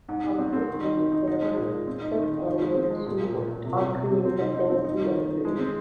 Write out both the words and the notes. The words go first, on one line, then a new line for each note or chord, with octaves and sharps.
Along with Hayes, there were six animators who worked on creating the fantasy imagery.
G#2
G#2
C4
C4
D#3
D#4
D#3
D#4
D#4
G#3
A#2
A#2
C4
D#4
D#3
D#4
D#3
G#3
C4
G#3
A#2
A#2
A#2
A#2
C3
C3
C3
C3
C4
D#4
D#4
C4
D#4
D#3
D#3
D#3
G#3
C4